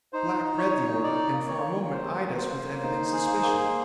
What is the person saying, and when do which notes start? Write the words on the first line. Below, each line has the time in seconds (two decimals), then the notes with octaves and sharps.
The black read the order, and for a moment eyed us with evident suspicion.
0.13 D#4 C5
0.43 D#4
0.58 C#5
0.73 D#4
1.03 D#4 D5
1.33 A#3
1.48 C#5
1.63 A#3
1.93 A#3 C5
2.23 A#3
2.38 C5
2.53 A#3
2.83 D#4
3.12 G#4
3.43 A#3